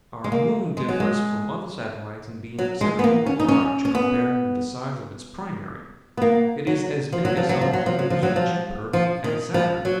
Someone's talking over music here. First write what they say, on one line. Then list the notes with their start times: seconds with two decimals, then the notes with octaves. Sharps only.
Our moon differs from other satellites in being exceptionally large compared with the size of its primary; it is as big as some of the moons of Jupiter and Saturn.
0.24 G#3
0.32 A#3
0.77 G#3
0.89 F#3
1.00 G#3
2.59 F#3
2.81 G#3
2.99 B3
3.04 A#3
3.26 C#4
3.40 D#4
3.48 C#4
3.85 C#4
3.95 B3
6.17 B3
6.22 A#3
6.67 F#3
7.12 F3
7.25 F#3
7.37 F3
7.49 F#3
7.61 F3
7.73 F#3
7.86 F3
7.99 F#3
8.10 F3
8.23 F#3
8.36 F3
8.93 F3
9.24 D#3
9.54 F3
9.85 F#3